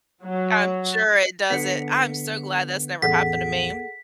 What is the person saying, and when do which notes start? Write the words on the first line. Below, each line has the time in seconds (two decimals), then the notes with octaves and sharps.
I'm sure it doesn't. I am so glad that's never happened to me.
0.24 F#3
1.50 D3 B3 B6 C#7
3.02 A1 E2 G#4 A4 F#5 B6